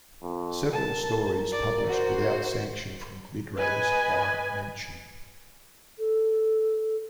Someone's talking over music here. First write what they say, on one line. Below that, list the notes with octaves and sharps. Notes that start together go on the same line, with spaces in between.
Several stories published without sanction from Glidrose warrant mention.
F2
A#4 A5
D5
F#4 C5
B4 D#5 G#5
A4